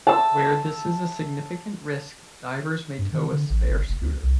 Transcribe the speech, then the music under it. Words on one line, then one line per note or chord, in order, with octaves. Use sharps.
Where this is a significant risk, divers may tow a spare scooter.
A5 E6
G2
D#3
D3
A1
G1
F1
D2
C2